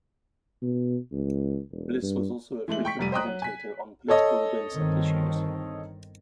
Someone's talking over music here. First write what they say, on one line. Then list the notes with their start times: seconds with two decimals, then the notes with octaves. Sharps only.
Bliss was also a frequent commentator on political events and issues.
0.62 B2
1.12 C#2
1.71 E1
2.03 G2
2.68 E3 G#3 A3 F#7
2.85 G5 C#6 B6
2.99 F1 G3 D#7
3.12 C5 D#5 G5 A#5 D#6 F#6
3.26 F#3
3.42 G#5 B6
4.08 A4 C#5 D#5
4.73 G1 D#3 C4